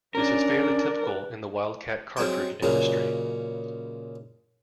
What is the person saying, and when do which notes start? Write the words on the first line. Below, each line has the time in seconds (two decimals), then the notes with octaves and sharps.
This is fairly typical in the "wildcat cartridge" industry.
0.15 C#4 D4 A#4 D5
1.02 B4
2.17 F#3 G#3 C4 G5 C6
2.63 A#2 C#3 F#3 G#3 C#4